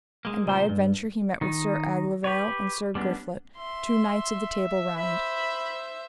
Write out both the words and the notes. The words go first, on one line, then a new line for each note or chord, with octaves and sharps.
And by adventure he met with Sir Aglovale and Sir Griflet, two knights of the Table Round.
G#3 A#3
C#2 A#2 C5
G2
D#3 D#4
G4 B4 C#5
G3 B3 C#4 D4
E5 C6
C5 E5 B5